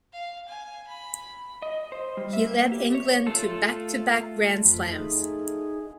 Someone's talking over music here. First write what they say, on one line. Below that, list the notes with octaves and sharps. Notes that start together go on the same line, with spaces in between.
He led England to back-to-back Grand Slams.
F5
G#5
B5
D#5
C5
G3
E5
A#3
G4
C#5
A3 F4 A4
F2 F3 B5
D#4 G#4